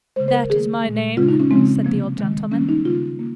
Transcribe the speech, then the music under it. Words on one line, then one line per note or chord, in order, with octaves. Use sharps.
'That is my name,' said the old gentleman.
C#3 G#3 C5
C5
A#4
D#3 A#3 G#4
A#2 G#3
C#3 G#3 F4
D#4
C#4
C#3 F3 G#3 C4
C3 F3 A#3
D#3 G#3
D#3 G3 A#3 C#4
D#4
C#3 G3 A#3 F4
A#3